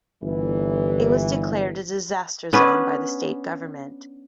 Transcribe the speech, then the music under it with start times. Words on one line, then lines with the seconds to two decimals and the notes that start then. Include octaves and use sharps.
It was declared a disaster zone by the State Government.
0.23 G1 E3
2.53 B3 C#4 D4 B4